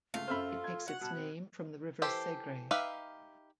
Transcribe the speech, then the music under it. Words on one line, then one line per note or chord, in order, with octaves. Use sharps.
It takes its name from the river Segre.
C#2 A3 F4
F#2 A4 C5 E5 B5 F6
G#6
F#4 F#5
B2 A5
C4
E3 G4 A4 C5
D#4 G4 B4 E5 F5